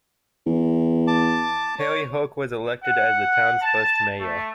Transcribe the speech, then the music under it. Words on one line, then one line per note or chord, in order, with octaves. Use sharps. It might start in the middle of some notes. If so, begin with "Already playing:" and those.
Harry Hoke was elected as the town's first mayor.
E2
A5 D6
C#5
F#5
A5
A3